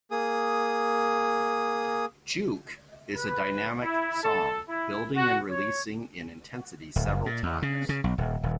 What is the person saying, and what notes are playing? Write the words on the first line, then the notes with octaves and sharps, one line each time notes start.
"Juke" is a dynamic song, building and releasing in intensity several times.
A#3 G#4 D#6
B4
E4
A4
E4
F#4
C#5
D1
F#1
A#2
E2
C#3
C#3
B1
D#1
D#1